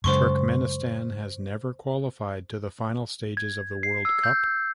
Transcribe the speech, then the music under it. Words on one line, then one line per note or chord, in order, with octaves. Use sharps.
Turkmenistan have never qualified to the final stages of the World Cup.
F#2 C#3 G#3 C5 C6 C#6
G#6
C7
E6
G6